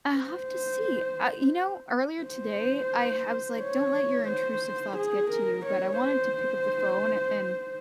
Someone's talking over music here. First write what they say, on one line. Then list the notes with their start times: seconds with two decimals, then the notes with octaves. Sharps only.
I'll have to see, I you know, earlier today, I ha was like, "Don't let your intrusive thoughts get to you," but I wanted to to pick up the phone a and,
0.17 C5
2.23 C5
3.60 C#5
4.28 C5
4.97 G#4
5.31 A#4
5.66 C#5
6.00 C5